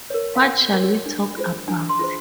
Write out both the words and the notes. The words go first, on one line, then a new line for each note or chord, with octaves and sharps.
What shall we talk about?
A#4 C#5
F5
F#4 F#5
A#4 C#5
D4
F4 G#4 C5
D4 G#5
C6
F4 G#4 C5